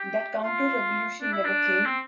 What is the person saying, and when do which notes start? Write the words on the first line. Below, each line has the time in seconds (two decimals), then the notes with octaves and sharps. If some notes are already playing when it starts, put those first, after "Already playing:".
That counter-revolution never came.
Already playing: G4
0.43 F4
1.22 D4
1.33 E4
1.45 D4
1.86 C4